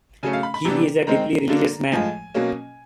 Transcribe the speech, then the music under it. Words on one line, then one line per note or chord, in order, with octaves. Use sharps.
He is a deeply religious man.
C#3 F#3 A3 C#4 G#5
F5
B5
B5
C3 E3 G3 B3 D4 A#5
D#3 G#3 C4 A#5
D3 F#3 A#3 D4
A2 F3 G#3 G#5
B2 F#3 A#3 C#4